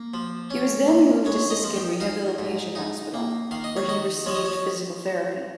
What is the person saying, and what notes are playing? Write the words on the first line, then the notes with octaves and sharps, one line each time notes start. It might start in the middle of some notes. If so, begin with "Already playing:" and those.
He was then moved to Siskin Rehabilitation Hospital where he received physical therapy.
Already playing: A#3
F3
C#4
A#2
G#3 C#5
D#5
F3
G5
D#4 F5
G#2
D#4
A#3
D#3 F5
D#5
C#5
D#3 D#5
F3 C#5
D#5
C#5